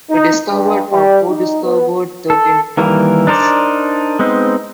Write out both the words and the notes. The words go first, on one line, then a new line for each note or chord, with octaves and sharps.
He discovered or co-discovered thirteen comets.
D#4
G2
G3
D#4
B3
A4
D#3 E3 G3 A#3 A#4
D4 D#4 A#4 C5 D5
G#3 B3 C4 D#4